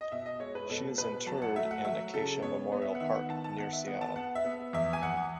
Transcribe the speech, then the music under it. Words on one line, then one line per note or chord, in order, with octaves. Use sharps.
She is interred in Acacia Memorial Park near Seattle.
D#5
B2 E5
D#5
G#3 C#5
B4
B2 A4
B2 B4
F#3 A5
F#5
A3 E5
F#5
F#3 E5
C#3 A4
B3 C#5
B3
E5
F#5
D#3 E5
F#5
D#3 A5
A5
B3 F#5
E5
B3 F#5
A5
B3 F#5
E5
B3
E2 E5
G#5
E2 F#5